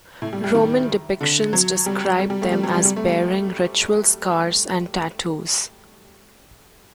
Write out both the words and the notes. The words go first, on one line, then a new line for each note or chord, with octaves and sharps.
Roman depictions describe them as bearing ritual scars and tattoos.
A2
G3
G3
D#3
D3
F#3
G3
G3
G3
A3
G3
F#3
G3
G3
A3
G3